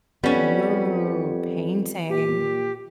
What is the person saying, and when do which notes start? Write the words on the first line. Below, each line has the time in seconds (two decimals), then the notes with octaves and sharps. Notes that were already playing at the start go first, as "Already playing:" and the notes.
Ooh, painting.
0.24 F2 G3 B3 C#4
2.09 A#2 G4